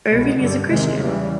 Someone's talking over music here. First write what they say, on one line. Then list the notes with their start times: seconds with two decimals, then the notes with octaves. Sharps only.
Erving is a Christian.
0.10 C2 B2 G#3 B3
0.38 G2 D3 G3
0.67 E2 C3 D#3 G#3
0.96 E2 C#3 E3 G3